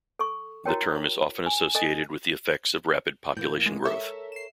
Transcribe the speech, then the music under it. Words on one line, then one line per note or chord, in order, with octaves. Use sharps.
The term is often associated with the effects of rapid population growth.
A4 C#6
E4 F#4 A#4 C#5 G5
G#5
A4 D#5 G#5
A2 E3 A#3 G6
G#3
A4 A#4 C#5 E5
C7 E7